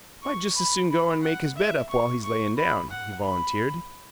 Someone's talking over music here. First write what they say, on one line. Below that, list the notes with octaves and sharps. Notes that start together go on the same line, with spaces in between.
"I just as soon go and make his bed up while he's layin' down," he volunteered.
C#6
B5
B5
F#5
E5
C#6
C#6
B5
F#5
B5